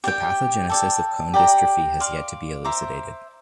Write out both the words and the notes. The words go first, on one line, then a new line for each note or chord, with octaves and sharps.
The pathogenesis of cone dystrophy has yet to be elucidated.
G4 D5 G5
A4 D5 G5
G4 D5 G5 A#5
D5 F5 C6
C5 E5 A#5 D6